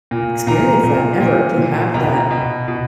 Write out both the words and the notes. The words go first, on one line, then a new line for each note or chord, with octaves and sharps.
experience that, ever, to have that
A#2
A#2 A#5
A#2
A#2
A#2
B2 A#5
B2
B2